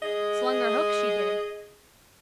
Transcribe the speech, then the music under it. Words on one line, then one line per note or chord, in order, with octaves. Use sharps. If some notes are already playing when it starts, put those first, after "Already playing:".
Slung her hook, she did.
G#4 D#5